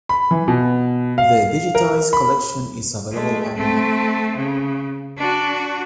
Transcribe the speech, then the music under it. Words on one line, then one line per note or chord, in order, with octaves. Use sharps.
The digitized collection is available online.
B5
E3
B2
F5
A#4
B5
G#3 A3
A3 C4
C#3
D4 F#4